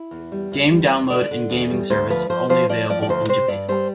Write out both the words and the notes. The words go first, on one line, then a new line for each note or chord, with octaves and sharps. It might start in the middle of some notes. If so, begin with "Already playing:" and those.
Game download and gaming service only available in Japan.
Already playing: E4
E2
G3
E2
G3
E2
D3 D5
D3
E2
G3
D2 C5
F3 B4
F3 C5
F3 C5
F3 D5
F3 D5
D5
D2 C5
C3 C5
G2 D5
G3 C5